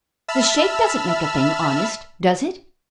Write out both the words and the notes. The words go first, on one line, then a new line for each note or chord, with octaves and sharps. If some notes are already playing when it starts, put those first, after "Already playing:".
"The shape doesn't make a thing honest, does it?"
E5 A5 B5 E6 F6